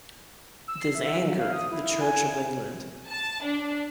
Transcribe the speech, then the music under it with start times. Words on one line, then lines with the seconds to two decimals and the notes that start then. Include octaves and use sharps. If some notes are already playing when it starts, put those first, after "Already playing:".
This angered the Church of England.
0.68 E6
0.81 C7
0.95 E5
1.25 F#3
1.39 F5
1.52 D#6
1.72 E4
2.01 G#5
3.08 A5
3.43 D4